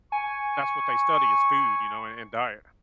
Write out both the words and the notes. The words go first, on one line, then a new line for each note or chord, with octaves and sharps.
that's what they study is food, you know, and, and diet.
G#5 C#6